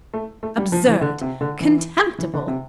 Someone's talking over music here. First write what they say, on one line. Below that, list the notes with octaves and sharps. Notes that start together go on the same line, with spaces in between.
Absurd! contemptible!
A3
A3
G3
F3
E3
D3
C3
D3
E3
E3
D3
C3